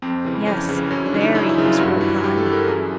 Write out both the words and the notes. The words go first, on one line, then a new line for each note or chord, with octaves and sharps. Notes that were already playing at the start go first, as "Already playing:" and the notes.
'Yes, very,' was her reply.
F2 C4
C#3 E3
F2 C#4
C#3 E3
F#2 C#4
D4
C#3 E3
D#4
F#2 E4
E4
C#3 E3
F4
G2 F#4
E3
G2 G4
A4
E3
A#4
F#2 G#4